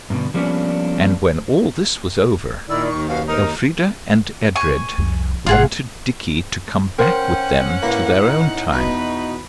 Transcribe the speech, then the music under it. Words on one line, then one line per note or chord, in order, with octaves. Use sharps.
And when all this was over, Elfrida and Edred wanted Dickie to come back with them to their own time.
G2 B2 D3
F3 G3 A#3 B3 C#4 D4
A#2 D#3 E4 D5 E6
D#2 C#6
F#2 B2 F5
D#4 A#4
G#5 C#6
C2 F2
G#1 F4 G#4 F#5
C#4 A#4 C5 F#5 G5
A2 A#3 D4 B4
D#4
E2 B2 D#4 F#4 B4